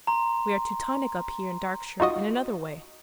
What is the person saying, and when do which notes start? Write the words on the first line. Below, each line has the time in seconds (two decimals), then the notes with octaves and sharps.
We are Teutonic up here in Darkshire in another way.
0.07 A#5 C6
2.00 D#4 F4 F#4 D#5